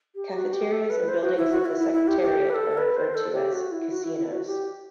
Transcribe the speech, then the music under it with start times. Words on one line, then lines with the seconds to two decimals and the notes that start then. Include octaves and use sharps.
Cafeterias in buildings of the Secretariat are referred to as "casinos".
0.15 G4
0.34 F#4
0.53 G4
0.72 A4
0.90 B4
1.08 C5
1.23 F#4
1.37 E4
1.52 F#4
1.65 E4
1.79 E4
1.93 E4
2.08 G4
2.22 G4
2.50 B4
2.54 A4
2.78 B4
2.96 C5
3.15 A4
3.33 G4
3.52 F#4
3.71 E4
3.90 F#4
4.04 E4
4.18 E4
4.32 F#4
4.46 G4